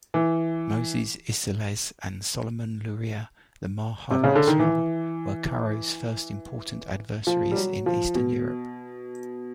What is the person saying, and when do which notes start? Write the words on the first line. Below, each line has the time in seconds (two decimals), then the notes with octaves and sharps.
Moses Isserles and Solomon Luria-the Maharshal, were Karo's first important adversaries in Eastern Europe.
0.14 E3
4.11 C3
4.24 C#3
4.35 D3
4.47 D#3
4.59 E3
7.27 F3
7.51 G3
7.56 F#3
7.86 F3
8.15 B2